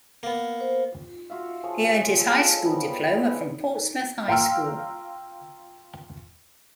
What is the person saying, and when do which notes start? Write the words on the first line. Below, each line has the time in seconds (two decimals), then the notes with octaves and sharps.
He earned his high school diploma from Portsmouth High School.
0.23 A#3 B3
0.60 C5
1.30 F4 F#4 E5 F5
1.64 F3 G#4 C#5
2.16 G#3 A4
2.63 F3 G3 B3 D#4
3.11 G#3 E4
4.28 F5 G5 A#5 C6 E6 F6